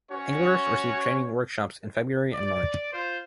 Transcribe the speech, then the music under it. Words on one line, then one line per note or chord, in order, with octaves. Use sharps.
Anglers receive training workshops in February and March.
C#4 F#4 C#5
D5
F4 C5